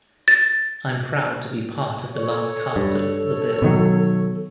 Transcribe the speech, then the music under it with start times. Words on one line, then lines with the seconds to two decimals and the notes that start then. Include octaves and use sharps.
I'm proud to be part of the last cast of "The Bill".
0.28 A6
2.15 A4 C#5
2.76 G2 A4
3.62 B2 D#3 F#3